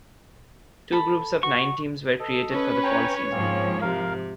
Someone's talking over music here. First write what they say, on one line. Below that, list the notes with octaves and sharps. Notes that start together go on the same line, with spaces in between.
Two groups of nine teams were created for the fall season.
A4 B5
F#4 C#6
A4 D#5
C#4 B4
C#5 G5 G#5 A#5
G#2 F3 A#3 C4 C#4
C3 A#4 F5